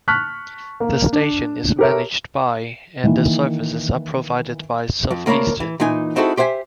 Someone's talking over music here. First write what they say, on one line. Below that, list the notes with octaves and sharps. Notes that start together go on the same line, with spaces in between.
The station is managed by and the services are provided by Southeastern.
A5 C#6 F6 F#6 B6
A#3
D4
G4 A4 A#4 C#5 E5
D#3 E3 A#3
F2
D2 A#3 A#4 C#5 B5
E3
A#2 E3 D#4 G#5
C4 D#4 E4 F#4 G#4 A4
G4 C5 E5 F#5 G#5